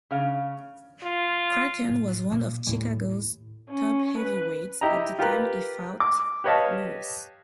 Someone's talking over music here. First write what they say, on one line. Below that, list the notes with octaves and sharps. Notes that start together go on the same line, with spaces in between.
Kracken was one of Chicago's top heavyweights at the time he fought Louis.
C#3 F5
F4
A2
A#2 A#3
D#2 A2
C#4
B4
E4 G4 D#5 A#5
F4 G4 A#4 B4
D6
G4 B4 C#5 D#5 F5 A5